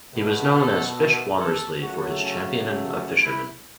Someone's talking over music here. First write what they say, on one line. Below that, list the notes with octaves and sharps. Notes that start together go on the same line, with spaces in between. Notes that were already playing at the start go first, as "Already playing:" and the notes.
He was known as "Fish Womersley" for his championing of fishermen.
B2 A3
A4
A4
C#3 F#3 A3 F#4
C#4
C#4
C#4
E4